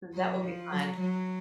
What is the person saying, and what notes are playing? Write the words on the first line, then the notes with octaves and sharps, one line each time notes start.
That will be fun.
F#3
F3
F#3
F#3